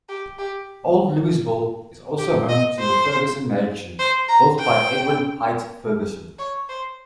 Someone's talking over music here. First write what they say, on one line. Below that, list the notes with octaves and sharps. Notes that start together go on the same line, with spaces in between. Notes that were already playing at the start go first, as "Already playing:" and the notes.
Old Louisville is also home to the Ferguson Mansion, built by Edwin Hite Ferguson.
G4
G4
G4
D#5
C5
C5
A#5
G5
C#5
C5